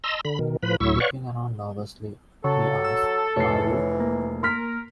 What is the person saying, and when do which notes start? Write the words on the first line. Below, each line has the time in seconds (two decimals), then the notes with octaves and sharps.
Looking around nervously, he asks, Are you...
0.04 D#5 A5 A#5 C6 E6
0.25 D3 B5
0.39 B2 D#3
0.63 A2 F3 B4 B5
0.80 D2 A2 F#3 E4 C#6 E6
1.00 B4 C#5 D5 F5 F#5 C#6
2.44 C#3 F#3 A4 C#6
2.84 E6
3.36 F1 E3 C#5 C7
4.00 A#3
4.43 A#4 C6 F6 B6